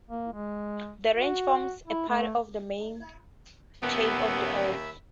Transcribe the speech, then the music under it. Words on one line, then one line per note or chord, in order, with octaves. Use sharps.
The range forms a part of the main chain of the Alps.
A#3
G#3
F#4
E4
A3
D#2 G3 B3 C#4 E5 B5 E6